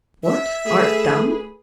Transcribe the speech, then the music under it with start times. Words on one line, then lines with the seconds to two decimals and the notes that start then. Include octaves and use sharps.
What, art dumb?
0.23 E5
0.66 A3 G#4 B4